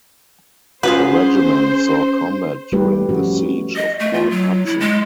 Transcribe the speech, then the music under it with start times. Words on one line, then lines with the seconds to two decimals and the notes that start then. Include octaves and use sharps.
The regiment saw combat during the Siege of Port Hudson.
0.83 C#4 F4 F#4 G#4 B4 C5
2.72 G3 A3 G4 B4
3.09 F3 C#4 F#4
3.76 D#5
3.99 A3
4.14 F4
4.31 F#3
4.66 E4
4.80 G#3